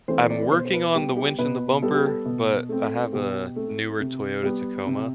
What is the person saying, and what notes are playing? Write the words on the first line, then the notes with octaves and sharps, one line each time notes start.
I'm working on the winch and the bumper, but I have a newer Toyota Tacoma,
E3 A3 C4 C5
D5
B4
B2 C5
C5
B4
G3 B3 G4
G4
B2 B4
G3 B3 A4
G4
A4
B2
A3 C4
B2 G4
A3 C4
C3
G3 B3
C3